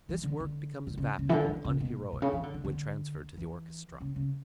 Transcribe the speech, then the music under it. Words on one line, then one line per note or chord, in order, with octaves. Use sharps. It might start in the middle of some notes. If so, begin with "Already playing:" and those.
This work becomes vapid and unheroic when transferred to the orchestra.
E3
D3
D3
D3
C#3
C#3
E3
D3
E3
C#3
B2
A2
B2
C#3
E3
D3
D3
D3
E3
C#3
C#3